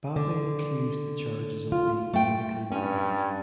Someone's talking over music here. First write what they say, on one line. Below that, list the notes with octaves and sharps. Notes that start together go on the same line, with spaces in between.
Bapi accused the charges of being politically motivated.
D3
F4
A3 G5
G2 C#4